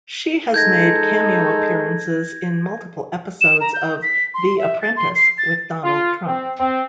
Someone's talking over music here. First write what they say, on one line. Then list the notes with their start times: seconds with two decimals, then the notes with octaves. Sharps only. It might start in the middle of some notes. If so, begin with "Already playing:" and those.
She has made cameo appearances in multiple episodes of "The Apprentice" with Donald Trump.
0.54 G#3 D#4 A4 G6 G#6 A#6
3.41 E7
3.61 A#5
3.74 G6
4.03 B6
4.34 C6
4.58 E5
4.82 A6
4.96 C6
5.15 C7
5.38 A6
5.84 F4
6.26 C4
6.60 C4